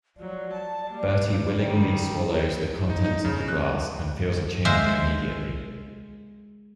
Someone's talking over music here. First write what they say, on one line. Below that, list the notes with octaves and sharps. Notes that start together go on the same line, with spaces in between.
Bertie willingly swallows the contents of the glass, and feels a change immediately.
F3 F#3 D5
A5
G3 A#3
D3 D#3 G3
D#4
D#4
C#3
F#6
G#3 C5 E5 F5